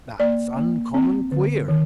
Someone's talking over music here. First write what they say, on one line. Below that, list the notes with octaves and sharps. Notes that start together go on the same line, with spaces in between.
"That's uncommon queer."
A#3 D5
A#3
C4
D3
D#3